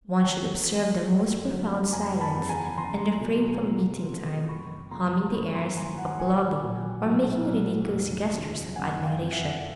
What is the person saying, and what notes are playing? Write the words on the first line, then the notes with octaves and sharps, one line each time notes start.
One should observe the most profound silence, and refrain from beating time, humming the airs, applauding, or making ridiculous gestures of admiration.
G#1 G5 A5
G#2 E3
F#2
D3 F#3 A#3
F#1 G#5 A#5
A5 B5
E2 C#3
G#5 A#5
E2 A#5 C6
B2 F#3 A3
C#2
C3 F3 A3
F#1 B5 C#6
F2 C#3 F3 A#3 A#5 C6
G2 B5 C#6
A#5 C6
D#3 F#3 A#3 G#5 A#5
F#5 G#5
A#1 F#5 G#5
A#2 F#3
B1
A#2 F#3
F1
D#2 C#3 F3
F#1 F#5 G#5
F5 G5
F2 C3 F3
E5 F#5